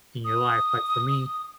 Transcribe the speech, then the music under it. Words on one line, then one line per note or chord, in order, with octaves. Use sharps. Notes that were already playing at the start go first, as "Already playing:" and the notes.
in your life, like, for me,
D#6